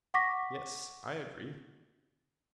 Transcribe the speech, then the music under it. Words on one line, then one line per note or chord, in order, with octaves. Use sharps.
Yes, I agree.
F#5 C#6 D6 A#6 B6